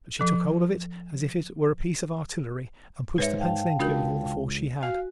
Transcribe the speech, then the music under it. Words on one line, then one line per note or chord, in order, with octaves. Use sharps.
But she took hold of it as if it were a piece of artillery and pushed the pencil into it with all the force she had.
F3 A4
G#2 B4 C#5 E5
F5 G5 A5
C#2 D4 F#4 A#4
F#4 F5 G#5